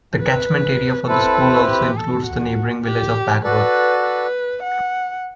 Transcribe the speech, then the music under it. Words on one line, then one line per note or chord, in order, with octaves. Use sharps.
The catchment area for the school also includes the neighbouring village of Bagworth.
B4
C4 E4 A4 B4
G4
A4
F#4
G4
F#4 A4 B4 D5
B4
F#5